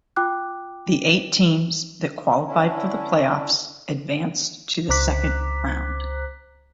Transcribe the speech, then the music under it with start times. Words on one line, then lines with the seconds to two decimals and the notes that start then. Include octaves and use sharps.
The eight teams that qualified for the playoffs advanced to the second round.
0.16 F4 G5 D6 F#6
2.46 D3 C#4 D4 E4
4.89 C#2 C5 A#5 D6 F#6 B6